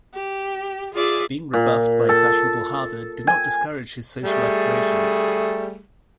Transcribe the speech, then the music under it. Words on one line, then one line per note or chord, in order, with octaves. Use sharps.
Being rebuffed by fashionable Harvard did not discourage his social aspirations.
G4
F4 G#4 D5 E5
A#2
A4
G#5
G3 A3 G#4